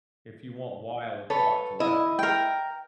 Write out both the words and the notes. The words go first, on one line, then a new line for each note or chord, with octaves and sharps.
if you want wild-caught tilapia,
A4 B4 C#5
E4 D#5
A#4 G5